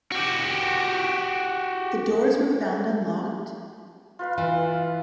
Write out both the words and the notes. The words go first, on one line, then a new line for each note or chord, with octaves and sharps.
The doors were found unlocked?
F#4 G4
F4 B4 F5
E3